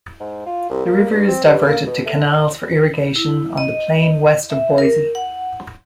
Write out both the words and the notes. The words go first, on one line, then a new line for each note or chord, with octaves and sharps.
The river is diverted to canals for irrigation on the plain west of Boise.
G#2
F4
C2
A#3
G2
C4
G2
A#3
B2
A3
E4
D#5
E5
A#4
F#5